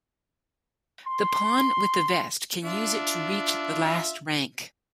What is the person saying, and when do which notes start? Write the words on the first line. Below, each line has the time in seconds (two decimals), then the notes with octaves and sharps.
The pawn with the vest can use it to reach the last rank.
1.06 C6
2.65 D4 F4 E5